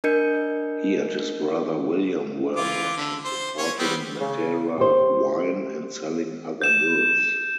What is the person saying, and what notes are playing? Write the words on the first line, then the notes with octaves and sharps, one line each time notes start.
He and his brother William were merchants importing Madeira wine and selling other goods.
D4 A#4 D#5 G6 C#7
E3 F4 D6
D3
C5
C#4 C#5
G3 B3 C4
C#3
G4 C5
G6 E7